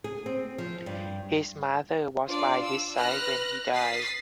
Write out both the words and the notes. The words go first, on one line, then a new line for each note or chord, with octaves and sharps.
His mother was by his side when he died.
G#4
C4
F3
G2
D4 F4 D5
E6
B4 F6 F#6 A#6
D#6 A6 B6 C7